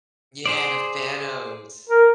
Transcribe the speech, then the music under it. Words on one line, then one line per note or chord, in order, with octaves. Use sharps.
Yeah, the Thanos.
G#4 C5 D5
A#4